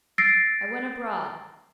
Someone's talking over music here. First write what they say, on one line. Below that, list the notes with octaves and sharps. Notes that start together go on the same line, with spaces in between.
I went abroad.
E6 A6 A#6 C7 D7